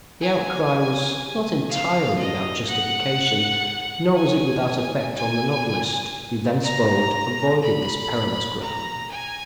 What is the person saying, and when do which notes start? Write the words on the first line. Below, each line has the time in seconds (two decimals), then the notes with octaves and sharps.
The outcry was not entirely without justification, nor was it without effect on the novelist, who thenceforward avoided this perilous ground.
0.21 G#5
1.69 F5
2.18 D#5
2.68 F#5
4.16 G#5
5.15 G#5
6.63 A#5
7.62 B5
8.61 A#5
9.10 G#5